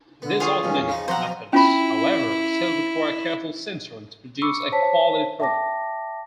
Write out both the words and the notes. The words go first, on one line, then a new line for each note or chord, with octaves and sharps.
These alternative methods, however, still require careful sintering to produce a quality product.
D3 B3
F4 G#4 C#5
C#2 G2 B2 C#4
E2
C#3 F3 D#4
F3 F#3 C4 C#4 C5 F#5 A#5
C#4 E4 F4 B5
B5 C#6 D6 E6 C#7
C5 C#5 A5 B6
E5 G5 A5 D6 A#6